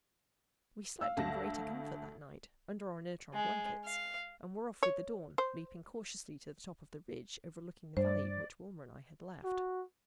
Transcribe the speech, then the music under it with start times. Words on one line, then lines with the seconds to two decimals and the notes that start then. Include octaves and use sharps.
We slept in greater comfort that night, under our inertron blankets, and were off with the dawn, leaping cautiously to the top of the ridge overlooking the valley which Wilma and I had left.
1.01 F5 E6
1.17 D2 A5 A#6
3.33 G#3
3.85 F5
4.83 C#5
5.38 C5
7.97 G2 C5 D5
9.44 F#4